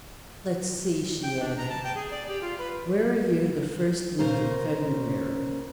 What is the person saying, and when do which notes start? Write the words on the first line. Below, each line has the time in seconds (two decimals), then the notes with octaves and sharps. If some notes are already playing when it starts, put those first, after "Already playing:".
"Let's see," she added, "where are you the first week in February?"
1.23 G5
1.40 D4
1.57 A#5
1.69 A5
1.84 G5
1.95 G#4
2.11 D5
2.28 G4
2.41 F4
2.58 B4
4.19 A#2 C#3 C#4 A#4 C5